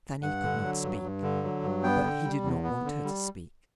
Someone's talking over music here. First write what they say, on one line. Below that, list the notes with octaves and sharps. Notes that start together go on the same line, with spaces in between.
Fanny could not speak, but he did not want her to speak.
G2 F#5
D3
F#3
G2
G2
D3
F#3
G2
B3 G5
D3
G3
E2
B3
D3
G3